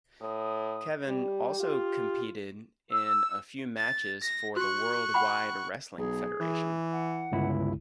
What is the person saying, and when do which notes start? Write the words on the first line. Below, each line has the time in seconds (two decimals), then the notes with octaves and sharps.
Kevin also competed in a few matches for the World Wide Wrestling Federation.
0.21 A2 D#6
1.07 G3 G4
1.60 F4
2.91 E6
3.77 A6
4.23 A#6
4.56 F#4 C#6 F#6
5.14 F#5 G5 B5
5.97 B1 G#4
6.40 E3
6.92 F#5
7.32 G1 C#2 E4